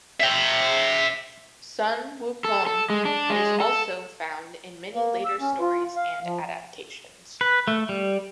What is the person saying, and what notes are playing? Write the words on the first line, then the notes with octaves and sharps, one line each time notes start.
Sun Wukong is also found in many later stories and adaptations.
E5 G5
A4
A4
G#3
D4
G#3
A4
A#3
E6
C#4
F4
F5
F3
B4
A3
G3